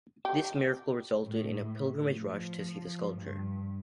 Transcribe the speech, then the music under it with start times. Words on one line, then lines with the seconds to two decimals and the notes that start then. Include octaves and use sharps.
This miracle resulted in a pilgrimage rush to see the sculpture.
0.25 G4
1.27 A2
2.15 F3
3.13 G2